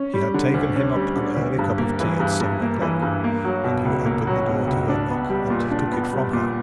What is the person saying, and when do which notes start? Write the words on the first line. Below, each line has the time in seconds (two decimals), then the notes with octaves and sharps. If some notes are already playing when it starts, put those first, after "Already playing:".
She had taken him up an early cup of tea at seven o'clock, and he opened the door to her knock, and took it from her.
Already playing: C#4
0.13 G3
0.34 D3
0.54 D2
0.76 C#4
0.95 G3
1.16 D3
1.37 D2
1.59 G2
1.78 A#3
2.00 E3
2.20 G2
2.40 G2
2.62 A#3
2.82 E3
3.02 G2
3.24 A#3
3.45 F#3
3.64 B2
3.85 C#2
4.05 A#3
4.27 F#3
4.47 B2
4.67 C#2
4.89 D4
5.09 B3
5.30 G3
5.50 A#2
5.71 D4
5.92 B3
6.13 G3
6.33 A#2